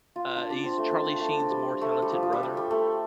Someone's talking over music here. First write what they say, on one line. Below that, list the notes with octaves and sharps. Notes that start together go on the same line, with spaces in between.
uh, he's Charlie Sheen's more talented brother.
F4
D4
D4
C4
A3
C4
D4
A3
D4
C4
G3
A3
G3
F3
F3
G3
G3
G3
A3